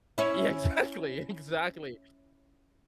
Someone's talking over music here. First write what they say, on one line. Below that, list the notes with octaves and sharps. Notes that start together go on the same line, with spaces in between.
Yeah, exactly. Exactly,
C#4 E4